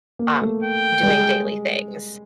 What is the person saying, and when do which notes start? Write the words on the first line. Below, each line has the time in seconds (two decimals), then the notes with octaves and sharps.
um, doing daily things.
0.19 A#3
0.42 A3
0.64 G5
1.03 G3
1.08 G#3